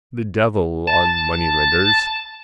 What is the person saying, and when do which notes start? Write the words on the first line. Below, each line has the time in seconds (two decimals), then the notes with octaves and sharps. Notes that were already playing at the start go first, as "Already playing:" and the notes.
The devil on moneylenders.
0.87 A5